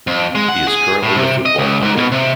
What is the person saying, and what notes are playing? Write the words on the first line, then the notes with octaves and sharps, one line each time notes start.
He is currently a football pundit.
F2
G#3
F#5
G#4
A2
C3
D#5
C#2
G#2
B2
C3